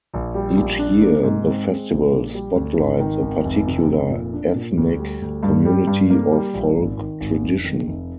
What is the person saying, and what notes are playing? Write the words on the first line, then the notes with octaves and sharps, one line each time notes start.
Each year, the festival spotlights a particular ethnic community or folk tradition.
A#1
G3
A#1
D4
A#3
G#2
C4
G#3
A#1
A#3
G3
D2
G#1
D#3
G#1
F1
C3
F1
A#2
D4
A#2
D2
G3
D2
G2
G3
G2
A#3
G3
A#1
G#1
D#3
G#1
F1
D#3
F1